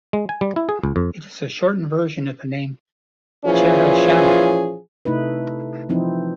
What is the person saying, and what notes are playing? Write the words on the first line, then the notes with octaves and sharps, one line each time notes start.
It is a shortened version of the name Jehoshama.
G#3
G#5
G3
E4
G#4
C#2
F2
A#2 E3 F3 C#4 F4 G#4
C3 A3 D#4 E4 B4
E3 F3 C4 D#4 E4